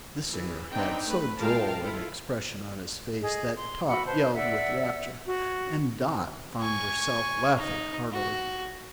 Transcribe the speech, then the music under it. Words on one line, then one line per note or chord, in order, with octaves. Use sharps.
This singer had so droll an expression on his face that Tot yelled with rapture, and Dot found herself laughing heartily.
E3 G#4
B3 C4 D4 D#4 G5
A3 B4
G#3 F4 A#4 F5 G5 A5
E4 F4 A4
G#4 D#5
C6
F#4 F#5 B5 E6
B4 C5 A5
D5 E5 F#5 E6
F#4
G#5 C#6
D#4
F#4